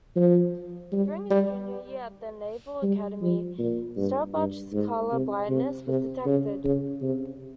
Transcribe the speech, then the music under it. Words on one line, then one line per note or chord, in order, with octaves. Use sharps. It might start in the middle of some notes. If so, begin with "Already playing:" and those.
During his junior year at the Naval Academy, Staubach's color-blindness was detected.
F3
G3
G3
G3
F3
A#2
G2
G2
G#2
C3
C3
C3
C#3
C#3
C3